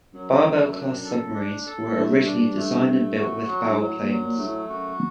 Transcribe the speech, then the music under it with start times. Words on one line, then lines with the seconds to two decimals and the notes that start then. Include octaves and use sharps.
"Barbel"-class submarines were originally designed and built with bow planes.
0.13 F#2 F#3
0.44 A3
0.75 D4
1.05 A4
1.35 D4
1.66 A4
1.96 G2 A3
2.26 D4
2.57 A3
2.87 A3
3.17 F#4
3.47 F#3
3.69 G2
3.78 A2 F#3
4.01 A#2
4.08 F#3
4.23 A#2
4.38 G2 A3
4.47 A2
4.69 F#2 F#4